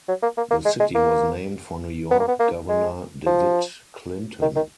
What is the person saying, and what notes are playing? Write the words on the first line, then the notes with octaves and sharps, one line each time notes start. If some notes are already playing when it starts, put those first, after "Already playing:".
The city was named for New York Governor DeWitt Clinton.
F#3
A#3
A#3
A#3
G#3
G#3
A#3
B3
A#3
B3
A#3
G#3
F3
D#3
D#3